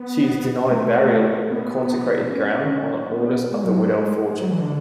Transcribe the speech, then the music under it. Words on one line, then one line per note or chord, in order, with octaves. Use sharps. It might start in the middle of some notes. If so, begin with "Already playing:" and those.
She is denied burial in consecrated ground on the orders of the Widow Fortune.
Already playing: B3
A3
B3
C#4
C#4
B3
G#3
F#3
G#3
G#3
F#3
E3
D3